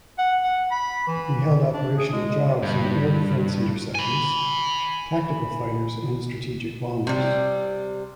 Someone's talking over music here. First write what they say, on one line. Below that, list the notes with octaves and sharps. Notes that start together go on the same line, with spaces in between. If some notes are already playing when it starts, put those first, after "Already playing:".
He held operational jobs in air defense interceptors, tactical fighters and strategic bombers.
F#5
F#5
B5
E3
D4
G#4
G#3
G2
G#5 B5
C3 G3